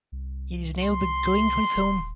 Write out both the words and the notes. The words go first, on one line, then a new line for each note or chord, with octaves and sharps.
It is now the Glencliff Home.
C2
C6
D#1